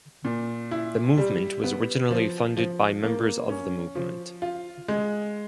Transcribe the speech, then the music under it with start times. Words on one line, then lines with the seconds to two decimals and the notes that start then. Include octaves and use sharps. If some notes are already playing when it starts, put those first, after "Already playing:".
The movement was originally funded by members of the movement.
0.25 A#2
0.71 E4
1.17 G3
1.64 B3
2.11 F3
2.57 F3
3.03 A#3
3.50 C#4
3.95 F3
4.42 F4
4.88 G#3